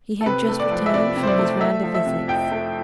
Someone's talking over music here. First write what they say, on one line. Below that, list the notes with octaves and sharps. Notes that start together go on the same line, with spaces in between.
He had just returned from his round of visits.
A4
C3 B4
A3
D5
F3
E5
C3 D5
C3
C5
D5
A3
A3 E5
F3
E5
C3
F2 G5
A3